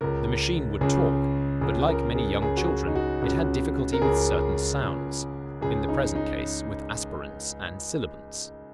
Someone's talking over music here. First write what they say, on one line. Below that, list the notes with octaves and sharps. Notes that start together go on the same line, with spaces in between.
The machine would talk, but, like many young children, it had difficulty with certain sounds--in the present case with aspirants and sibilants.
C#2 C#3 A#4
C#2 C#3 G#4
C#2 C#3 G#4
A#4
G#4
C#2 C#3 G#4
F#4
G#4
D#4
F#4
C#2 C#3 F#4
A#4
C#2 C#3 G#4
C#2 C#3
C#2 C#3 G#4
D#4
D#4